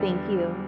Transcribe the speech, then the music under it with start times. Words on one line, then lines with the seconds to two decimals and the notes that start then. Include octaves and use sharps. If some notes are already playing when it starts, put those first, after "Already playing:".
Thank you.
Already playing: E2 D3 G3 B3 D4